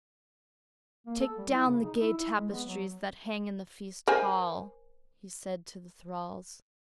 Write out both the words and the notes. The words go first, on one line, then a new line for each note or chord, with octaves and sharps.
"Take down the gay tapestries that hang in the feast hall," he said to the thralls.
A#3
A4
G3
E4
C#3
D#4
E4
E4
G#3
B3
F#3
A#4 C5 G#5